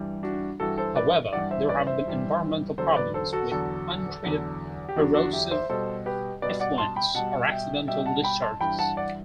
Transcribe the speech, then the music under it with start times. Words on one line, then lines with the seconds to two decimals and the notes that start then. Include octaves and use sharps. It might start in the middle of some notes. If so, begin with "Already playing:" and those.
However, there have been environmental problems with untreated corrosive effluents or accidental discharges.
Already playing: G2 E3 G3
0.23 D4 F#4
0.60 G2 E3 G3 F#4 A4
0.78 A4 C5
0.96 B4 D5
1.33 G2 E3 G3 D5 F#5
1.51 C5 E5
1.69 B4 D5
1.87 C5 E5
2.06 G2 E3 G3
2.78 E2 D3 F#3 A4 C5
2.96 B4 D5
3.14 A4 C5
3.33 F#4 A4
3.51 E2 D3 F#3 F#4 A4
4.24 E2 D3 F#3
4.89 G4
4.96 E2 D3 F#3 D4 F#4
5.14 D4 F#4
5.32 E4 G4
5.51 C5 E5
5.69 B2 G3 A4 C5
6.06 G4 B4
6.42 B2 G3 B4 D5
6.60 D5 F#5
6.78 A5 C6
6.96 G5 B5
7.15 B2 G3 F#5 A5
7.51 E5 G5
7.87 B2 G3 E5 G5
8.06 F#5 A5
8.23 G5 B5
8.42 A5 C6
8.60 G2 E3 G3 G5 B5
8.79 F#5 A5
8.97 D5 F#5